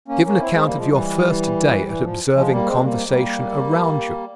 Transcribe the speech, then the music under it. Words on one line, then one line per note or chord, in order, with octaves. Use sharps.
Give an account of your first day at observing conversation around you.
A#3 C#4
A#3 C#4
C4 E4
G#3 C4
G3 A#3
F3 G#3
E3 G3
E3
F3
F3 G#3
G3 A#3
G#3 C4
G3 A#3
G3 A#3